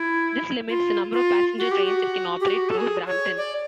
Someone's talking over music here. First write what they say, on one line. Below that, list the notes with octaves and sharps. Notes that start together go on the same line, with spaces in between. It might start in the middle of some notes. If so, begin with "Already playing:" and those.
This limits the number of passenger trains that can operate through Brampton.
Already playing: E4
F4
F4
F#4
G4
F#4
G4
F#4
A4
G#4
C#5
D5